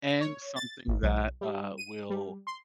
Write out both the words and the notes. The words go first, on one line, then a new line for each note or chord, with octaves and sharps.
and something that, uh, will
C#5
A6
G#1
B1
G3
D#7
G3
C6